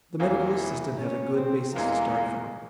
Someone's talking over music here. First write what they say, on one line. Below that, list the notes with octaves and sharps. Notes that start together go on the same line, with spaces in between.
The medical assistant had a good basis to start from.
E1 E2 E3 A#3 C4 F4
E4
C#4
C4
F1 E2 E3 G#3 A#3